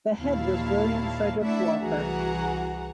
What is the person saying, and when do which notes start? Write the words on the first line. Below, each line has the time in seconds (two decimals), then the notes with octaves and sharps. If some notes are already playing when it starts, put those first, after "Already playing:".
The head was William Frederick Walker.
0.18 D#2 A#2 E4 F5 A5
1.42 A3 D4 E4 E5 F#5
1.81 C2 E3 F#4 G#4 F#5 A#5